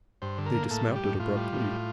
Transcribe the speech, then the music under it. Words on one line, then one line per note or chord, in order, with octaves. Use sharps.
They dismounted abruptly.
G2 C5
D3
A#4
A#3
A2 A4
G3
G4
A2
A2 F4
G3
A2